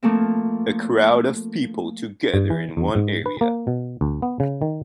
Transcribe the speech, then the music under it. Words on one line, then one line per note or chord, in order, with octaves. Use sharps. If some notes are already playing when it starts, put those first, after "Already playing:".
A crowd of people together in one area.
F3 A3 A#3 C4
G2
E3
E2
G#2
B4
A#3
B2
D2
B3
C#3
D#3